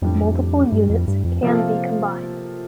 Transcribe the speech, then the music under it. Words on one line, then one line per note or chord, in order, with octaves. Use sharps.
Multiple units can be combined.
F2 A2 G3 D4 G4
G2
F2
G2
F2
C3 F3 A#3 F4 A4